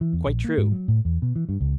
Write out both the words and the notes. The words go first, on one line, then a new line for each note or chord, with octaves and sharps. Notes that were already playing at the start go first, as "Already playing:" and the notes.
Quite true.
E3
E2
A#1
A#3
G#2
F#3
A2
E2
B2
E3
G2
C#2